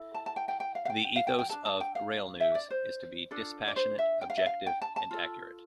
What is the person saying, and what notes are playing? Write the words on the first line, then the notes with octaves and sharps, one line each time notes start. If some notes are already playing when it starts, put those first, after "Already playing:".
The ethos of "Railnews" is to be "dispassionate, objective and accurate".
Already playing: E4 A4
A5
A5
G5
G5
G5
F5
F5
G5
G5
F5
G5
G5
D4 A4 A5
A5
G5
F5
E5
D5
C5
D4 F4 A4
D5
C5
E5
G5
F5
E5
F5
G5
A5
A5
F4 A4